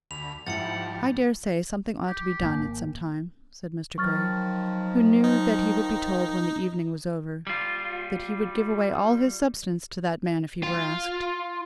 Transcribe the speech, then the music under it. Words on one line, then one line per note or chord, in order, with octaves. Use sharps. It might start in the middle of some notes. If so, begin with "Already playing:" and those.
"I dare say something ought to be done at some time," said Mr. Grey, who knew that he would be told, when the evening was over, that he would give away all his substance to that man if he were asked.
D2 B5 F7
G#2 F3 G3 E4 F#5 A6 C#7
G4
G#1 A#3
D#3 F3 F#3 C#6 F6 A6
D#4
G3 F4
F4